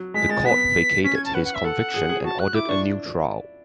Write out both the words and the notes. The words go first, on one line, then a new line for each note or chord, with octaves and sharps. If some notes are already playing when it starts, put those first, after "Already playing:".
The Court vacated his conviction and ordered a new trial.
Already playing: F#3
G#3 B6
G#3 A6
B3 B6
C#4 B6
G#6
A5
B4 F#5
F#5
E5
A4 F#5
G#4
G#4
F#4 A5
F#6
E4 D6
D4 C#6